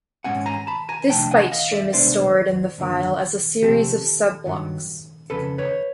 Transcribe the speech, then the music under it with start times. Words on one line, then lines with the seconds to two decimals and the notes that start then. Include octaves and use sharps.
This byte stream is stored in the file as a series of "sub-blocks".
0.24 G#2 F3 G#3 C#4 F#5 G#5
0.46 G#5 A#5
0.67 A5 B5
0.89 G#5 A#5
1.09 C3 F3 A3 D4 G5 A5
1.31 F#5 G#5
1.52 D#5 F5
1.72 D5 E5
1.93 C2 B2 G#3 B3 D4 C5 D5
2.78 F#2 D3 F3 A#3
3.62 C3 F3 A3 C4 G4 A4
4.46 G2 D#3 F#3
5.30 F2 C#3 F3 A4 B4
5.58 B4 C#5